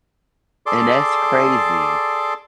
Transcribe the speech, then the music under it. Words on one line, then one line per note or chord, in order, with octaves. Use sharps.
And that's crazy.
G#4 A4 D5 C6 D6